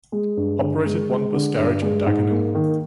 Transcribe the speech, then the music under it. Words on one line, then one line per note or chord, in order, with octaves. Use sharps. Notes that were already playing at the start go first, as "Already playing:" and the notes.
Operated one bus garage in Dagenham.
G#3
G2
D3
G#3
G#3
D3
G2
G#3
G#2
A#3
D#3